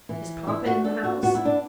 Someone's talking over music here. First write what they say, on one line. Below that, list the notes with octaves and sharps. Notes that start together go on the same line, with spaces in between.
"Is papa in the house?"
E3
D4 E4
F#4
D4 A4
F#4
B3 F#4
E4
D4